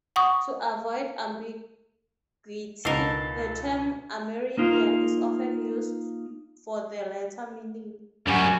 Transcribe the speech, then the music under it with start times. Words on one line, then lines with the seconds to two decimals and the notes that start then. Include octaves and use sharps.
To avoid ambiguity, the term Amerindian is often used for the latter meaning.
0.16 F#5 C#6 D#6
2.85 C#2 B2 D#4 A4 A#4 C7
4.57 A#3 D#4 F4
8.27 F#2 G3 F#4 G#5